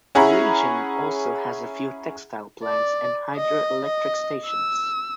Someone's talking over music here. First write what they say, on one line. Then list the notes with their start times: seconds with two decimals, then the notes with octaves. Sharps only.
The region also has a few textile plants and hydroelectric stations.
0.15 C#4 E4 G#4 F#5 A#5 B5
2.65 D5
3.36 D#5
3.85 D#5
4.47 E6